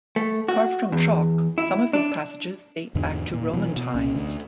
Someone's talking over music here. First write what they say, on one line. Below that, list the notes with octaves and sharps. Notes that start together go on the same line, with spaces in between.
Carved from chalk, some of these passages date back to Roman times.
A3
F#4
E2
E4
D4
E2 G#2 D3
A#2
B2 E3
B2
C2 C#4
D2